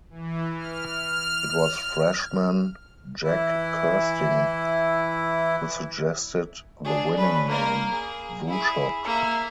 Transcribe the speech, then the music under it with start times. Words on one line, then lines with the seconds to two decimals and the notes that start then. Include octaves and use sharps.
It was freshman Jack Kersting who suggested the winning name, WuShock.
0.10 E3
0.56 F6
3.24 E3 E4
6.84 D4 G#4
7.18 C#4 B4
7.47 A#3 A#4
7.92 G#4
8.47 E4 G#4
9.05 A#3 E5